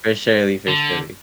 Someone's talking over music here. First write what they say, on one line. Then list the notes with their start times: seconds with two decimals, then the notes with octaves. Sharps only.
for surely, for surely.
0.68 D3